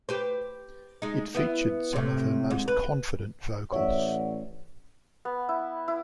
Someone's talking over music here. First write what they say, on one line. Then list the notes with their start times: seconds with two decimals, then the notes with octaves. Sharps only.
It featured some of her most confident vocals.
0.09 G4 B4 C5
1.02 G#3 D#4
1.35 B3 E4
1.93 A2 C3
2.50 G#2
2.68 B4
3.72 A1 C#5 D5 E5 F#5
5.25 B3
5.49 E4
5.88 E4